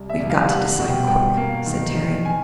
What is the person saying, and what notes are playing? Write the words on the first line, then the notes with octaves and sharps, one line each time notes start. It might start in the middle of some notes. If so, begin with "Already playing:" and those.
"We've got to decide quick," said Terry.
Already playing: C2
E5
C2
F5
G3 F#5
F#5
B2
G5
G2 G5
A#3
D#3
D#3
G#5